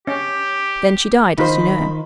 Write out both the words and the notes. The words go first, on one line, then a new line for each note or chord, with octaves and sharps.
Then she died, as you know.
C#4 G4
D#3 D#4 F4 C5 B5